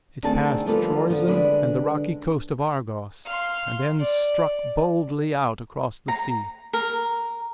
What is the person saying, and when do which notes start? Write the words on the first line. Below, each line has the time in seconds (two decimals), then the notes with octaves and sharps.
It passed Troezen and the rocky coast of Argos, and then struck boldly out across the sea.
0.23 D2 D#3 C4 D4 G#4 A5
0.65 D2 F3 G3 A#3 A4 B4
1.10 D3 F3
1.27 D3 G3 G#3 D4 B4
3.26 F5 C6
3.99 D5
6.08 A#5
6.73 A#4